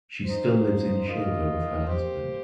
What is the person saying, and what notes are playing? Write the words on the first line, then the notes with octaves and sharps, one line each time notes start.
She still lives in Schilda with her husband.
F3 D#4 C5
D#3 A#3 F4 D#5
A#3 G4 C5